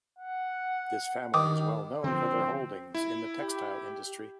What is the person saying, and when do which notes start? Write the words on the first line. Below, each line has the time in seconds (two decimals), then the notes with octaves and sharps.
This family is well known for their holdings in the textile industry.
0.19 F#5
1.34 D#3 G5 D6 D#6
2.04 D3 F3 C4
2.94 E4
3.42 G4